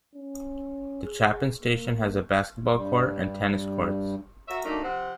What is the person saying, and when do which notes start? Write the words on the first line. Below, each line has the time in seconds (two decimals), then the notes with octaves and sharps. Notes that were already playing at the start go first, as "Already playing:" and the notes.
The Chapin Station has a basketball court and tennis courts.
0.15 C#4
1.04 G#4
1.63 A#3
2.73 G2 G3
4.48 F#4 A#4 C#5 E5
4.64 F#3 A3 A#3 D4 D#4
4.83 C3 F3 C4 F#5